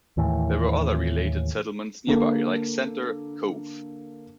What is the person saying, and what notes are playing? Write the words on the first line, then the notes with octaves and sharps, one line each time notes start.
There were other related settlements nearby like Centre Cove.
D#2 A2 E3
D3 A#3 A4